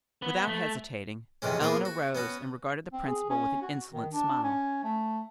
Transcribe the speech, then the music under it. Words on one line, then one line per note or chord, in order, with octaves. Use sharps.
Without hesitating, Eleanor rose and regarded the principal with an insolent smile.
B3
A3
F2 C3 E3 G#3 C#4
A#3 B3 F4 G#4 C5
F#4
B3 C#4 F#4
C4
G#4
C#4
F#4
D#3
D4
C#4
A3